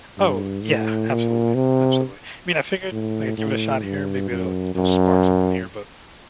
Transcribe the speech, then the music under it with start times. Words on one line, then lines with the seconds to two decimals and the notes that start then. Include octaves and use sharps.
Oh, yeah, absolutely, absolutely. I mean, I figured I'd give it a shot here, maybe it'll it'll spark something here, but
0.18 G2
0.64 A2
1.09 A#2
1.55 C3
2.92 A2
3.38 A2
3.84 G2
4.29 F#2
4.75 F#2